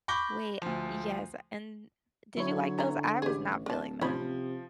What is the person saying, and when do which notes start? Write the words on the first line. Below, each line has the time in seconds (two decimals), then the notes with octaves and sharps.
Wait, uh, yes, uh, and did you like those? I was not feeling them.
0.08 B5 C#6 D6 G6 A#6 G7
0.62 D2 F3
2.37 D3 F#3 E4 C#5
2.78 E3 A#5
3.22 A1 G4 G#4
3.66 D1 A#4 A5
4.01 C3 F3 C#4 B5